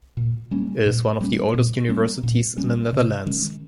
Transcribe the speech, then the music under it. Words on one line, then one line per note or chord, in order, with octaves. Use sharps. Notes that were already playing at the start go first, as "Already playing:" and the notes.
It is one of the oldest universities in the Netherlands.
A#2
G3 A#3 C#4
A#2
G3 A#3 C#4
A#2
G3 A#3 C#4
A#2
G3 A#3 C#4
C3
D#3 G#3 C#4